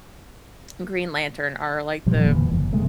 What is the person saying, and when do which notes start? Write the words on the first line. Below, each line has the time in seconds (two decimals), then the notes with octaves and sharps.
Green Lantern are, like, the,
2.06 A#2 F3 G3
2.23 E1 D3 E3 A#3
2.48 F#1
2.73 C3 G#3 A3